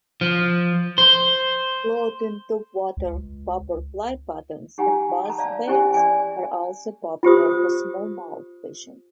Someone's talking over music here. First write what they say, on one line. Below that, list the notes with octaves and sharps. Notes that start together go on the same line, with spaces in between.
Floating topwater popper fly patterns and buzz baits are also popular for smallmouth fishing.
F3
C5
C#2
D#4 G4 F#5 G#5 A#5
A5 A#5
D5 F5
C#4 E4 G4 C5 G#5
D5 G#5
F4 G4 C5 D#6